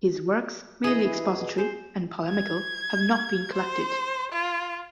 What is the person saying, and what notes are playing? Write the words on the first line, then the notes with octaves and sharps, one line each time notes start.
His works, mainly expository and polemical, have not been collected.
E3 G#4 D#5
E3
B2
G#4 C5
G#6
C5
F4